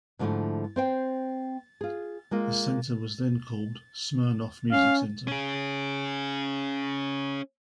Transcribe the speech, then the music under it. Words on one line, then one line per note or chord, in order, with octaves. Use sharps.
The center was then called Smirnoff Music Centre.
G#2 D3 F3 G#3 A3 E4
C4 C5 G5
F4 G#4
G#3 A#3 F4
C#4 F5
C#4 G#4